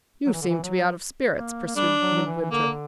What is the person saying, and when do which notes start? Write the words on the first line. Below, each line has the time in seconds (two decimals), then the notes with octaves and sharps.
"You seem to be out of spirits?" pursued Midwinter.
0.26 F#3
0.33 E3
0.42 D3
0.49 E3
0.63 F#3
1.38 A#3
1.66 A#3
1.76 G3 D4
2.01 F#3
2.15 F#3
2.26 E3
2.41 E3
2.51 D3 A#3